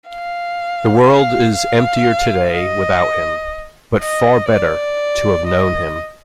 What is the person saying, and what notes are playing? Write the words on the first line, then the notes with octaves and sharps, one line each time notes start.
The world is emptier today without him, but far better to have known him.
F5
F5
F5
D#5
D#5
D5
D#5